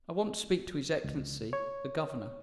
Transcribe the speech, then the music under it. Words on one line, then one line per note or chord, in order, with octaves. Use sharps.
"I want to speak to his Excellency, the governor."
C#2
C#5